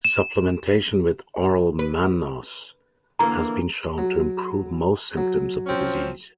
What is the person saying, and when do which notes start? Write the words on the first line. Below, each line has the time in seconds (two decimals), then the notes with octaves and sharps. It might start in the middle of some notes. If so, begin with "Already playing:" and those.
Supplementation with oral mannose has been shown to improve most symptoms of the disease.
0.05 E7
1.79 B4
3.19 D3 E3 A#3 A#5
3.98 F#3
5.17 F#3
5.66 F3 C4 C#4